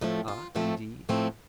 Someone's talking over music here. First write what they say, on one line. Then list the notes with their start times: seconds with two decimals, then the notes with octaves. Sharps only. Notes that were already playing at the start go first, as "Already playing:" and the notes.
"Ah, indeed?"
0.01 A2 F3 A3 C4 D#4
0.28 F4
0.55 A2 F3 A3 C4
1.09 A2 F3 A3 C4